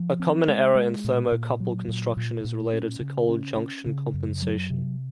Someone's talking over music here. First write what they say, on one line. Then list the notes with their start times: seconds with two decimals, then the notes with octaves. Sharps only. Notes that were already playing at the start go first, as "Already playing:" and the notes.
A common error in thermocouple construction is related to cold junction compensation.
Already playing: F3
0.20 C4
0.48 G#3
0.75 G#3
1.04 A#2
1.32 A#2
1.60 F#3
1.88 A#2
2.17 A#2
2.45 A#2
2.73 C#4
3.00 C#3
3.29 C#4
3.57 C#4
3.86 C#3
4.14 F#2
4.42 F#3
4.70 C3